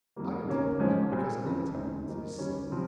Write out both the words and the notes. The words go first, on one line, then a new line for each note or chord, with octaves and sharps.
I am temperate because intemperance is sin.
F2 D#3 G3 A#3
C3 D#3 A#3 C#4
G#2 F3 G#3 C#4
A#2 G3 C4
F2 C#3 F3
C#3 G#3 C4 D#4
D#3 G3 A#3 D#4
D#3 G3 C#4
C3 F3 C4